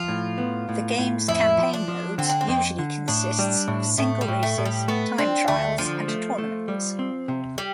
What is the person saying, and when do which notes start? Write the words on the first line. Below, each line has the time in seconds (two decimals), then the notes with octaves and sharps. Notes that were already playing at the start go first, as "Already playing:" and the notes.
The games' campaign modes usually consists of single races, time trials, and tournaments.
Already playing: F3 F4
0.08 A2
0.38 B3
0.69 A2
0.99 A2
1.28 F2 E4
1.58 F3
1.74 D4
1.88 F3
2.18 D3 C4
2.29 D4
2.41 C4
2.48 F2
2.79 D3
3.08 A2 D4
3.39 G3
3.68 A2
3.98 A2 A3
4.21 G3
4.28 A2
4.43 A3
4.58 A2
4.65 G3
4.88 A3 B3
5.18 C4 D4
5.48 D2 A3
5.78 D3 F3
6.08 A3
6.38 A3
6.68 G3
6.99 C4
7.28 C3
7.58 G3